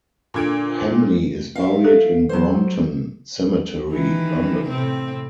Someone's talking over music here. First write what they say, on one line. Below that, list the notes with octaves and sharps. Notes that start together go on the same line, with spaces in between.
Hamley is buried in Brompton Cemetery, London.
A#2 D3 G#6 D7
E5 F5
A4
F#3 C5
D#3 E3
A2 C3 C4